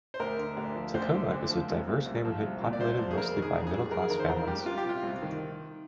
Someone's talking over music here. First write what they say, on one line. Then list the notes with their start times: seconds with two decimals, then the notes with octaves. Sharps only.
Takoma is a diverse neighborhood, populated mostly by middle-class families.
0.14 C5
0.20 D2 A#4
0.38 D3
0.57 D2
0.76 F3
0.94 D2 C5
1.13 D3
1.32 D2
1.50 F3
1.69 C2
1.87 A#2
2.06 C2
2.25 F3
2.43 C2
2.62 A#2
2.73 D5
2.80 C2 C5
2.98 F3
3.11 G#4
3.17 F2 A#4
3.36 D#3
3.42 G#4
3.54 F2
3.67 G#4
3.73 G3
3.91 F2 A#4
4.02 G#4
4.10 D#3 A#4
4.20 C5
4.29 F2 A#4
4.47 G3 G4
4.65 G3 F4
4.78 G4
4.84 C3 F4
5.03 C2
5.22 D#3